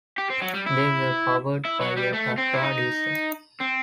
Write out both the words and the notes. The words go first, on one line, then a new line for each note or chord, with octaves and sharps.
They were powered by a Tatra diesel.
G4
C4
F#3
G3
E4
E4
F#3
G3
A3
C4
E4
D#4
C4